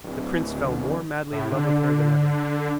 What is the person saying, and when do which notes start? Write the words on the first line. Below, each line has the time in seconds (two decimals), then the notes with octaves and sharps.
The prince fell more madly in love with her than ever.
0.04 D1
1.32 A2
1.51 D3